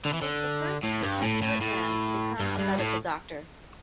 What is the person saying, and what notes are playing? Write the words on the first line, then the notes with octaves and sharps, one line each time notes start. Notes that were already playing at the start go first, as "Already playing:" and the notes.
He was the first Protectorate man to become a medical doctor.
D3
E3
D3
A2
G2
A2
A2
A2
G2
G2
A2